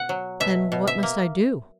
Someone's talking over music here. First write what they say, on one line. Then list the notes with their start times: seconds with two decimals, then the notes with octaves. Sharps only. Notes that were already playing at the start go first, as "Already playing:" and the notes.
'Then what must I do?'
Already playing: B2 F#5
0.09 F#3
0.40 B2 E5
0.72 B2
0.87 E5
1.03 A#3